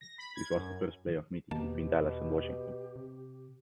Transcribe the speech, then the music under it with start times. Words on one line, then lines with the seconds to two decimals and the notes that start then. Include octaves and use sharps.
This was the first playoff meeting between Dallas and Washington.
0.01 A#6
0.18 B5
0.36 G#6
0.56 F#2
1.51 E2 B2 D#3 A#3 G4 A5
2.96 C3